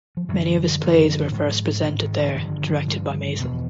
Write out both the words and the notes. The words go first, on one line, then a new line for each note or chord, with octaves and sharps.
Many of his plays were first presented there, directed by Mason.
F3
F#2 D3 E3 F#3
F#2 D3 D#3 F3
G#2
G#2
D#3
D3 E3
F#3
G2 D3 D#3 F3
D#3 F3
G2 D3
E2 B2